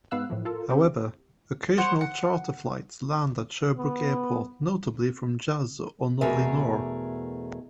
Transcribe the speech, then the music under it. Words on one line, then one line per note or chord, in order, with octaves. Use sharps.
However, occasional charter flights land at Sherbrooke airport, notably from Jazz or Nolinor.
G#2 B3 F5 E6 F#6
A2 E3 F3
F4 A4 A#4
C4 G4
B3 C5 C#5 F#5
F#5
B3
E2 B2 A3 G#4 A#4 E5